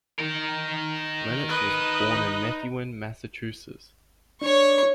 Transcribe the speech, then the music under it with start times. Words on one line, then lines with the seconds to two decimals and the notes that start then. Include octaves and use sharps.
Lennertz was born in Methuen, Massachusetts.
0.19 D#4 A#4
1.49 B4 D#5
4.41 D4 C#5 C#6